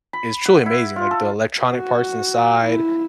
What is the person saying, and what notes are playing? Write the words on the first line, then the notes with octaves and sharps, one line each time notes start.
it's truly amazing, like, the electronic parts inside,
B5
F#5
E4
F4
A4
F#4
E4